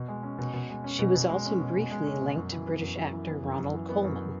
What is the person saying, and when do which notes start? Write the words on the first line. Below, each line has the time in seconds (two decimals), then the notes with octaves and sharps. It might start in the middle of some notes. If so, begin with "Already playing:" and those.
She was also briefly linked to British actor Ronald Colman.
Already playing: B2
0.08 G#3
0.23 C#4
0.38 B2
0.53 B2
0.70 G#3
0.84 C#4
0.99 B2
1.15 B2
1.29 G#3
1.46 C#4
1.60 B2
1.76 B2
1.91 G#3
2.06 C#4
2.22 B2
2.36 F#2
2.52 E3
2.67 B3
2.81 F#2
2.98 F#2
3.13 E3
3.28 B3
3.42 F#2
3.57 F#2
3.74 E3
3.89 B3
4.04 F#2